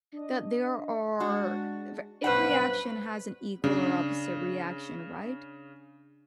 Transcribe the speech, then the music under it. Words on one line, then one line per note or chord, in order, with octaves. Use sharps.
that there are v every action has an equal or opposite reaction, right?
D4 D#5
G#3 D4 F#4
B1 G2 C#3 D4 B4 C5 F#5
C#3 D4